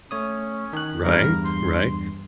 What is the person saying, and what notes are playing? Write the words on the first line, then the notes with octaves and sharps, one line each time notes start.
Right? Right?
A3 C#4 C#5 D#6
D#3 F#6
E2 G2 A#4
C6